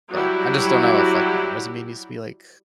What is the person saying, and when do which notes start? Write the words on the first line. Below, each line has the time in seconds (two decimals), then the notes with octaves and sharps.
but I just don't know if, like, my resume needs to be, like, ch
0.11 F#3 G3 E4 F#4 G4